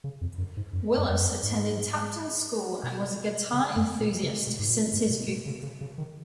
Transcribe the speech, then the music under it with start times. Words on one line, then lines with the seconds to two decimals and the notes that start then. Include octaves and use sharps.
Willis attended Tapton School and was a guitar enthusiast since his youth.
0.04 C#3
0.21 F2
0.38 F#2
0.57 G#2
0.73 F#2
0.98 F#2
1.09 F2
1.20 F#2
1.43 G#2
2.83 B2
3.53 C#3
3.76 F#2
4.00 A#2
4.23 C#3
4.47 B2
4.59 G#2
4.70 A#2
4.94 G#2
5.10 B2
5.27 B2
5.46 C#3
5.63 C#3
5.81 C#3
5.98 D#3